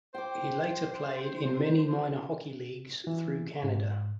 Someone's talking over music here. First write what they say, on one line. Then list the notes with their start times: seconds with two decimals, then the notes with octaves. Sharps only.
He later played in many minor hockey leagues through Canada.
0.14 C5 G5 D6
3.07 E3
3.63 G#2